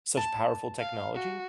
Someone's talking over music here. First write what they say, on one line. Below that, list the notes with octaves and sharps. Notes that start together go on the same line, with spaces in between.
such powerful technology
A5
F5
F#4